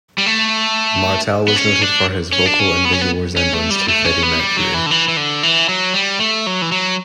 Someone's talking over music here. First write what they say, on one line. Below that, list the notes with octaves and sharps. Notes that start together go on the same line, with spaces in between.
Martel was noted for his vocal and visual resemblance to Freddie Mercury.
G3
A3
B3
C#4
D4
C#4
D4
C#4
B3
C#4
B3
C#4
A3
G3
A3
C#4
B3
G3
F#3
E3
D3
E3
E3
D3
E3
F#3
G3
A3
F#3
E3
F#3